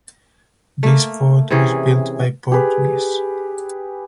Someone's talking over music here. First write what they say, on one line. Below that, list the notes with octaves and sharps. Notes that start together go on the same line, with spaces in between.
This fort was built by Portuguese.
A3 A#3
C3 E3 C#4 G#4
G4 G#4 B4